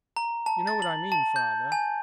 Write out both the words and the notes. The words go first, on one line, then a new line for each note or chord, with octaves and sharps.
'You know what I mean, father.'
A#5
A5
A6
F#7
A5
G6
G#5